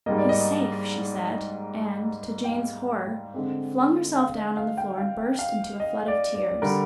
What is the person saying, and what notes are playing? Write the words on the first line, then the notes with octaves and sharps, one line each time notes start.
'HE'S safe!' she said, and, to jane's horror, flung herself down on the floor and burst into floods of tears.
G#2 G3 A#3 D#5
D5
D#5
G5
F5
D3 G#3 C4
F5
D#5
F5
G5
F5
F5
D#5
D5
D5
D3 G3 A#4